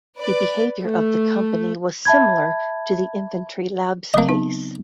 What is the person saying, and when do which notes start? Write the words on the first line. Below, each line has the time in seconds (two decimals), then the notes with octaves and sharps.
The behaviour of the company was similar to the Infantry Labs case.
0.17 B4 D5
0.82 A3
2.05 E5 A5 B5 G#6
4.14 C#3 F#3 A#3 C4 D#5
4.29 B3 D#4